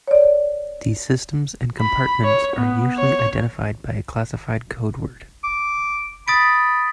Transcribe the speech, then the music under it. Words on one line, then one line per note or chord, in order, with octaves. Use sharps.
These systems and compartments are usually identified by a classified codeword.
C#5 D5
B5
C#5
B3
C#5
D6
B5 D#6 A6 D7